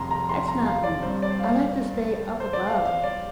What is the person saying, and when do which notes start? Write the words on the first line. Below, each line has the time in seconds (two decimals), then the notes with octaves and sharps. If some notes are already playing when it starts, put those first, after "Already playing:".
That's not me. I like to stay up above
Already playing: F1 F2 A#5 C6
0.11 A#5
0.29 C6
0.48 A#5
0.66 F5
0.84 D5
1.03 G2 G3 C4 C5
1.22 D5
1.30 C5
1.39 F5
1.43 D5
2.40 C5
2.53 D5
2.67 F5
2.85 F5
3.04 D5